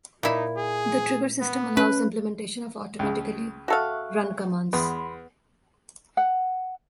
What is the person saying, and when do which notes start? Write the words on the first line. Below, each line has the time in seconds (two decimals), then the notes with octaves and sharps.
The trigger system allows implementation of automatically run commands.
0.23 A#2 D#4 E4
0.57 G#4
1.41 B3
1.77 C#4 B4
2.99 C#2 C#3
3.68 F#4 A4 E5 F5 C#6 F#6
4.73 E2 B3 B5 C6
6.17 F#5